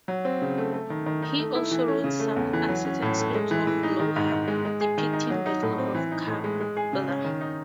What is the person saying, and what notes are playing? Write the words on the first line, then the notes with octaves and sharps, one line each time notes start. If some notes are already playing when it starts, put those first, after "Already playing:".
He also wrote some uncertain scripts of noha depicting battle of Karbala.
F#3
C4
C#3
A3
A3
D#3
D#3
D#4
A3
E4
E3
C#4
C#3
A3
E2
E3
F#3
C#4
A2
A3
G#3
E3
E3
D#4
D#3
G#2
G#2
G#3
G#3
G#4
D#3
D#4
F#3
D#4
A2
C4
E3
D#4
A2
G#3
G#3
G#4
C#3
C#4
D#3
D#4